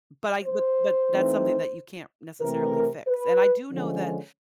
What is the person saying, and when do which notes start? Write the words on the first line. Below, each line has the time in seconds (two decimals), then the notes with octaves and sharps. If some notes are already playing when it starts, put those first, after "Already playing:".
But I but but that's something that you can't necessarily fix, and I do know that,
0.45 C5
1.09 E3 A3 C4 D#4
2.41 C3 E3 A3 C4 A#4
3.07 B4
3.72 D3 F3 G#3 C#4